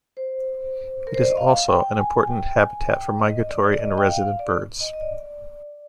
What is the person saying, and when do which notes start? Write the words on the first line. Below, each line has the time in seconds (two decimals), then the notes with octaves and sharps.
It is also an important habitat for migratory and resident birds.
0.17 C5
1.07 A#4
1.14 C5
1.22 D5
1.30 D#5
1.37 F5
1.68 G5
1.98 G#5
2.27 G5
2.59 G#5
2.89 G5
3.19 D#5
3.49 D5
3.73 D5
3.79 D#5
3.98 G5
4.09 F5
4.39 D5
4.80 D#5
4.93 D#5
5.01 D5